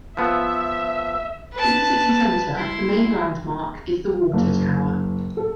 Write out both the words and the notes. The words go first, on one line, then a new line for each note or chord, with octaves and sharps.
In the city center, the main landmark is the water tower.
F3 B3 E5
B4 A5
E4 C6
F#1
A4